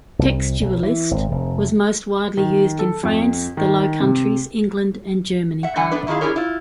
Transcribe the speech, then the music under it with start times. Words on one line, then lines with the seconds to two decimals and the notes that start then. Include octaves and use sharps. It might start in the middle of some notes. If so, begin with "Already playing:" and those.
"Textualis" was most widely used in France, the Low Countries, England, and Germany.
0.19 C2
0.61 B1
0.83 E3
1.11 G#1
1.31 F1
2.37 D#3
2.79 A4
3.03 F2
3.57 D#3
4.01 C3
5.63 E5 F#5
5.76 D3 E3 G3 F#5 G#5
5.91 A3 B3 D4 B4
6.07 F#2 D#3 E4 F4 G#4 F5
6.21 D4 E4 G4 G#4 A#4 C#5
6.36 E4 F4